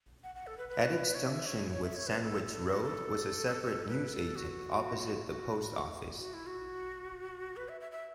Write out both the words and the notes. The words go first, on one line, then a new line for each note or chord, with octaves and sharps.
At its junction with Sandwich Road was a separate newsagent, opposite the post office.
F#5
F#5
A4
B4
B4
C#5
E5
C#5
C#5
E5
C#5
B4
A4
A4
F#4
A4
B4
A4
F#4
F#4
F#4
E4
F#4
B4
E5
E5
E5